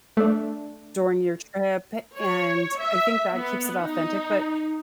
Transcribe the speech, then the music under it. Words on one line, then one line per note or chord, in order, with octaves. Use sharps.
during your trip. And I think that keeps it authentic, but,
A3 D4
C#5
E5
B3
D#4